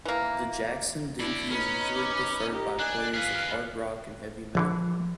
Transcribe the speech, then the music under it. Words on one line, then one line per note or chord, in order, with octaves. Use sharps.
The Jackson Dinky is usually preferred by players of hard rock and heavy metal.
E3 A#3
A3 D4 E4 D5
C#4 D#4 B4
D6
D#4 G4
D4 G#5 F#6
G#4 B4 F5
A#1 D3 E3 F3